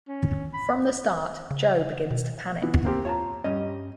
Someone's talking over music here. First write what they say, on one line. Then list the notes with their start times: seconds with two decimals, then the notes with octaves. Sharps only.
From the start, Joe begins to panic.
0.08 C#4
0.53 B5
1.51 C#3
2.11 B2
2.62 E3 B3
2.85 A#3 C4 G4
3.05 F4 C#5 A5 A#5
3.44 G2 G3 C#4 D#5